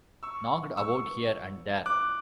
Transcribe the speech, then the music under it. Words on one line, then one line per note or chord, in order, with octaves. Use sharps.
Knocked about here and there.
C#6 E6
C#6 E6
D6 F#6